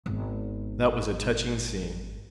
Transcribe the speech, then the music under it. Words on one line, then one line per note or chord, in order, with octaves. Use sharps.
That was a touching scene.
G#1 B3